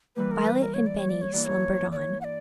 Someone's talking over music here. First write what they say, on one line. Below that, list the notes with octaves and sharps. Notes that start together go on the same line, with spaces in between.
Violet and Benny slumbered on.
E3 G3 A#3 B4
A#4
B4
A#4
C#5
D5
C#5
D5
C#5
G2 E3 A#3 E4 D5
C#5
D5
C#5
F#5
D5